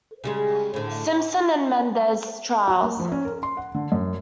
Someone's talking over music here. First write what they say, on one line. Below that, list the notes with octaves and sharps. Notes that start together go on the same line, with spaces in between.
Simpson and Menendez trials.
C#3 G3 G#3
A2 D3
F#4
A#3
F3
C#4
A#4
C6
F#5
D3
F#2